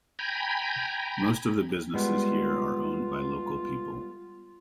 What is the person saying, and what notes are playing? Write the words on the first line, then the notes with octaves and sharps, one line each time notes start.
Most of the businesses here are owned by local people.
G5 G#5 A#5 B5
G3 G#3 B3 F4